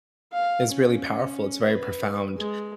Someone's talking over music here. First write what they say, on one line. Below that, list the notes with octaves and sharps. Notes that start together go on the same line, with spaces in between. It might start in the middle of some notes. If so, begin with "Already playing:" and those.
is really powerful, it's very profound,
F5
C#4
B4
G#3